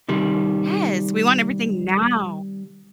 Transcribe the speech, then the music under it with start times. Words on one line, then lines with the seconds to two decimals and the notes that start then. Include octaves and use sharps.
Yes, we want everything now.
0.08 C3 D#3 G3